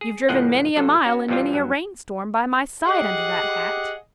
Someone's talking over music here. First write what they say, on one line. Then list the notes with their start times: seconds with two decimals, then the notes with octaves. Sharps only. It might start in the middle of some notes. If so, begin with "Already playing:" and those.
You've driven many a mile in many a rainstorm by my side under that hat!
0.01 G#4
0.29 C#2 A2 F3 G#4 F#5 G5
0.76 C3 F#3 F4 A4
1.05 C#4 F#4
1.28 F2 C3 E3 F3 G3 F4
1.53 G2 F#3
2.87 G4 G#4 D#5 F#5